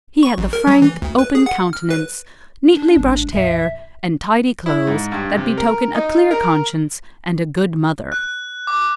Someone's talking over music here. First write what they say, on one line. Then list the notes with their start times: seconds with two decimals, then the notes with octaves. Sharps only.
He had the frank open countenance, neatly brushed hair and tidy clothes that betoken a clear conscience and a good mother.
0.23 C#6
0.38 A1
0.53 A#4
0.67 F#3
0.82 E3
1.02 D2
1.18 B4
1.35 G#4
1.46 F#5
1.73 F6
1.90 B4
2.73 D4
2.96 G#1 A2
3.33 A#1 F2 E5
4.66 E4
4.87 G#2
5.12 G2
5.37 C3
5.58 A#4
5.94 D#4
6.31 A#4
8.12 F#6
8.67 D6